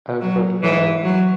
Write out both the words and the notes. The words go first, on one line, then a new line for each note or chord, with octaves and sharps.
Alfred Earle.
F#3
E3
F#3